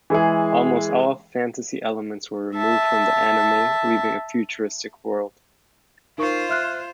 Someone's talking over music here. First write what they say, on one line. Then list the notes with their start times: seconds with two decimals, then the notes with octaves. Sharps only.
Almost all fantasy elements were removed from the anime, leaving a futuristic world.
0.10 E3 G#3 E4 G#4
2.56 E5 A5
6.18 D#4 F4 A#4 C5 C#6
6.49 E5 F6 F#6